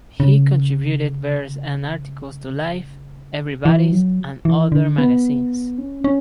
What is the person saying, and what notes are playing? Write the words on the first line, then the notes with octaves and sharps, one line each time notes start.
He contributed verse and articles to "Life", "Everybody's", and other magazines.
C#3
E3
F#3
E3
D3
B3
C#4
C#4